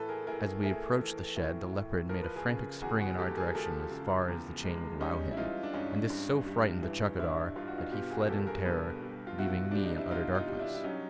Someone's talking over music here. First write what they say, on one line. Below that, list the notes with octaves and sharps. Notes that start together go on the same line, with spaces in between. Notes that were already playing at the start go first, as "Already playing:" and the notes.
As we approached the shed, the leopard made a frantic spring in our direction as far as the chain would allow him, and this so frightened the chaukidar that he fled in terror, leaving me in utter darkness.
Already playing: A2 E3 A3 A4 B4
G#4 A#4
A2 G#4 A#4
A3 G#4 A#4
E3
A2
A2
F3 A#4
B4
G#4 A#4
C#3
E2 F#4 G#4
F#4 G#4
G#3 G4 A4
G#4 A#4
F3 G4 A4
C#3
E2
G#3
G3 C#4 D#4
E4
E3 D#4 F4
D4
G2 C#4 D#4
G2
G3
E3
G2 D4 E4
G2 F4
F#4
D#4 F4
B2 F4 G4
F#4 G#4
A#4
G3 G4 A4
G#4 A#4
B2 A4 B4
G3
F4
B2 E4 F#4
G3 D4
D#4
E4
B2 D#4 F4
D#4 F4
G3
D4 E4
E4
F#3 C#4 D#4